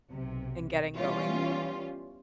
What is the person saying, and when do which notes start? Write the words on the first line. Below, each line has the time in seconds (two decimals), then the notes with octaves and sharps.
and getting going.
0.11 B1 C3
0.96 E3 G3 B3 C#4 F4